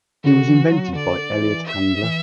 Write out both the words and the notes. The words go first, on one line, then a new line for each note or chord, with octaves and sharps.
He was invented by Elliot Handler.
D3 F#4
E3
F#3
D3 D5
E3
E5
E3